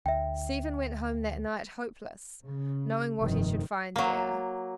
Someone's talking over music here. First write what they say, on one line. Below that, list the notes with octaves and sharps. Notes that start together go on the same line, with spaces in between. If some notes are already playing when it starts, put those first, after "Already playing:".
Stephen went home that night hopeless, knowing what he should find there.
D2 E5 G5
C#3
F1 G2 D#3
F#3 A#3